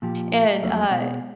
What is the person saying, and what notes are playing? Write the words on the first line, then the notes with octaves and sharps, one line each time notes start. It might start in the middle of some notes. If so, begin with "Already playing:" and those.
and, uh
A#2 F3 G4
F2 F#3 A3 A#3
B2 G#3